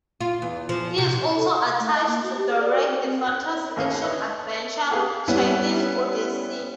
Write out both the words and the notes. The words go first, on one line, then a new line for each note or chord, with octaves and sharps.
He is also attached to direct the fantasy action adventure "Chinese Odyssey".
F4
E2
F3
C3
A4
C6
F5
A3
D#5
A#3
F#4
G4
G#4
D5
F#4
C4
F#6
A1 D#2 C#4 F5
B4 C#5 D#5 E5
A#3 G4 G#4 B4 F5
G3 B3 C#4 E4